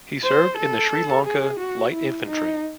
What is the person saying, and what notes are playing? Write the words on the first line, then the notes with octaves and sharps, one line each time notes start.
He served in the Sri Lanka Light Infantry.
C5
A4
G#4
F#4
E4
D#4